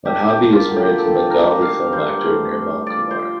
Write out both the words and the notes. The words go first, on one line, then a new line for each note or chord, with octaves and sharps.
Madhabi is married to Bengali film actor Nirmal Kumar.
D4 G4
G4
A#3
F4
D3
G4
G3 A4
D4 A#4
A#3 F5
G2 C5
A3
G2
F3 D5
C5